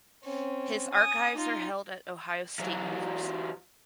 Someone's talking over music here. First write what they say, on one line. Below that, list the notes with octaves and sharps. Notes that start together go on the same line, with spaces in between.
His archives are held at Ohio State University.
C4 C#4
G#5 D#6
D#4 F4
E3 F#3